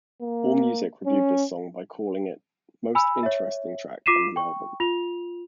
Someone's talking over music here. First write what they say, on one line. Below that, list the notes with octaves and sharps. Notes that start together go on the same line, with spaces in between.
AllMusic reviewed this song by calling it "most interesting" track on the album.
A#3
C#4
G#5 B5 E6
C#5 E5
F4 D6 B6 C7 D#7 E7
G5 C#6
F4 F7